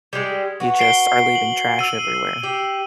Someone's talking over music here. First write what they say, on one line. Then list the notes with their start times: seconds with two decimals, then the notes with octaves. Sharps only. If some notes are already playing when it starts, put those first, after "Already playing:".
you just are leaving trash everywhere.
0.13 G3 G#3
0.60 F#4 B4
0.79 C7 D7 G7
1.35 F#7
1.79 E6 D#7
2.43 G4